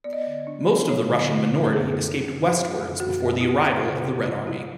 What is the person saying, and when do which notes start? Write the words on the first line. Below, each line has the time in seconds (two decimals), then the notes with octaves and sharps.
Most of the Russian minority escaped westwards before the arrival of the Red Army.
0.04 B3 D5
0.13 D#5
0.22 D3 D5
0.47 D4
0.69 B3
0.89 F#3 C#5
1.10 D3
1.31 D3
1.52 D3
1.64 A4
1.73 F#2 G#4
1.94 F#2
2.16 F#2
2.36 D#3
2.57 D#3
2.78 F#2
3.00 F#2 F#4
3.20 F#2
3.41 E4
3.62 C#3
3.84 E4
4.05 C#3
4.25 E4 F4
4.47 F#3 E4